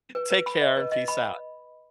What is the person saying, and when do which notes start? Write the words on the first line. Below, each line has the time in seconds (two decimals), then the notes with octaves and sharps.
Take care and peace out.
0.15 B4
0.31 B4
0.46 B5
0.62 D#5
0.77 B4
0.92 D#5
1.08 B5